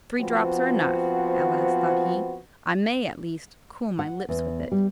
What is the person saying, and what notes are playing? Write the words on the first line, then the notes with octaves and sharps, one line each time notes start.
"Three drops are enough," at last thought he; "I may, at least, cool my lips with it."
F3 B3 C4 F#4
F#5
E2
G3